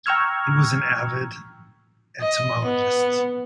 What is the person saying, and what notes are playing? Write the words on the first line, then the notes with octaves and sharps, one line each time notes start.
He was an avid entomologist.
G5 A#5 C#6 E6 F6 G#6
D#5
B3